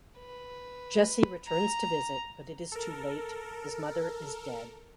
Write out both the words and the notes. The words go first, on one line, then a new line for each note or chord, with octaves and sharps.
Jesse returns to visit but is too late; his mother is dead.
B4
A#5
A4 A#4